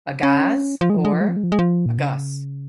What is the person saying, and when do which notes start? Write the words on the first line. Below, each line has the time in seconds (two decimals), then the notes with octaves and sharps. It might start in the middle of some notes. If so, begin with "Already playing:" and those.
"Ughaz" or "Ugas".
0.23 C#4
0.81 F3
0.90 G#3
0.97 F3
1.05 G#3
1.13 F3
1.21 G#3
1.28 F3
1.37 G#3
1.44 F3
1.52 G#3
1.59 F3
1.86 A#2
1.98 C#3